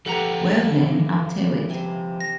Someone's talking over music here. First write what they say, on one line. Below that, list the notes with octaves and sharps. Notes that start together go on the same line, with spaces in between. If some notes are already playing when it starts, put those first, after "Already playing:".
Well then, I’ll tell it.
F3 D#4 G4 A4 B4 F#5 A#5
C3 G#5 C6
A#6